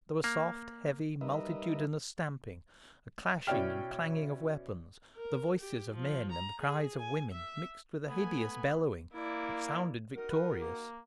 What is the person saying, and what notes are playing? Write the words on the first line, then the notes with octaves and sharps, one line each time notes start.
There was soft heavy multitudinous stamping, a clashing and clanging of weapons, the voices of men and the cries of women, mixed with a hideous bellowing, which sounded victorious.
A#3
G3 D#4 A#4 B4 D#5 E5
B2 C#4 E4 D5 G5 F6
A#4
G4
F3
A#5
G#4
G#5
E5
A3 B3 G#5
A#3 E4 D5
D#4 F#4 A#4
B4
A#3